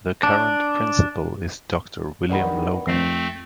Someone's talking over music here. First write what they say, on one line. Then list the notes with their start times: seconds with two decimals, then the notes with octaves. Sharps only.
The current Principal is Doctor William Logan.
0.23 D4
2.29 B1 G2 D#3 D5 F#5 B5
2.87 F2 A3 C4 A#6 C7